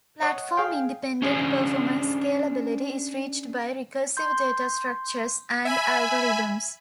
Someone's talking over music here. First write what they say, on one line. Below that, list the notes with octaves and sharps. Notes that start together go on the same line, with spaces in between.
Platform-independent performance scalability is reached by recursive data structures and algorithms.
C#5 D#5 F#5
G#4 F5 G5
C#4 D4 G#4 C5
C6 G6
E5 G#5 B5